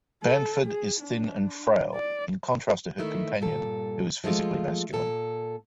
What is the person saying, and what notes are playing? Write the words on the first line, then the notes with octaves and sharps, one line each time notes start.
Banford is thin and frail, in contrast to her companion who is physically masculine.
A4
G#4
D4
D5
D#3 A3 E4
G2 A#2 A4
F3 G#3 A3 F4
A#2 A4